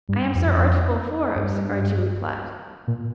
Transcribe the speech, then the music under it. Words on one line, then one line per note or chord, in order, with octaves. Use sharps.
"I am Sir Archibald Forbes," Archie replied.
G2
F2
G2
A#2